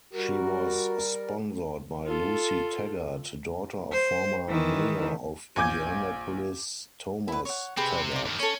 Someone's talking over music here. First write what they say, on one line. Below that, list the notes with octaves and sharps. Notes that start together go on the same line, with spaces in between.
She was sponsored by Lucy Taggart, daughter of former Mayor of Indianapolis Thomas Taggart.
G3 F#4 A#4
F4 A4
C5
D#3 E3
A#1 G#5 D6 G6 G#6
E4 B4
C#5 F#5
C3 C4 G4 G#4 B4
D#4 D6
G2 D#3
C#4 A4 C#5